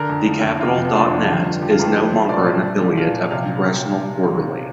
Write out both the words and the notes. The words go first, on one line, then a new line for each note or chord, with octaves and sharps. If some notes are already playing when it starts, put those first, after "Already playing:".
TheCapitol.Net is no longer an affiliate of Congressional Quarterly.
Already playing: D3 A#4
F2
F3
F2
C3 F4
F2
F3 D4
F2 D4
D3 F4
G2
F3 G4
F4
G2 G4
F3 G4
F3 C5
A#2 D5
A#2
F3
F3
A#2 F5
A#2
C3 F5